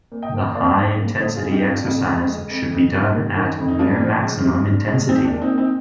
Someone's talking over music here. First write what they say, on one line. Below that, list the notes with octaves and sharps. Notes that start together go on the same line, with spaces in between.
The high-intensity exercise should be done at near maximum intensity.
A#2
D#5 G5
A#2
A#2 D5 F5
G#3
A#2
D3 C5 D#5
F4 G#4
F2
D#4 G4
F2
D4 F4
F2 D4 F4
G#3
G#3
F2
F2
G3
D#3
D#3
F2
D#4
G#3 D4 F4
F3
G#3
G2
G2
G#3
G#3 C4 D#4
D4
A#2
C4 D#4
A#2
C4 D#4